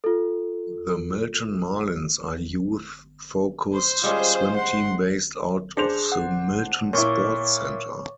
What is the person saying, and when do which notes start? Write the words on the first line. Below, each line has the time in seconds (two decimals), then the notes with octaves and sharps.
The Milton Marlins are youth-focussed swim team based out of the Milton Sports Centre.
0.04 F4 A4
3.74 C5
4.04 G3 G#3 C#4 F4 G#4
4.56 F#5 C6
5.77 D4 G#4 C5 F7
6.12 F#5
6.93 A#2 E4 C#5 C#6 D6